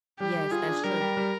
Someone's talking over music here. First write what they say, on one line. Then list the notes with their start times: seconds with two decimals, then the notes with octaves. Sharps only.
Yes, that's true.
0.19 G3 G4
0.36 G3
0.51 F4 G#4
0.67 D4
0.84 G3 A#4
1.00 G3
1.17 G3